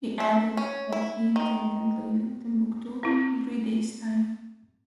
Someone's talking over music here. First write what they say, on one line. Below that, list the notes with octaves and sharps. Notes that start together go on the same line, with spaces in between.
He added that he intended leaving Timbuktu in three days time.
E5
C#4
E4
D#3
C4 E4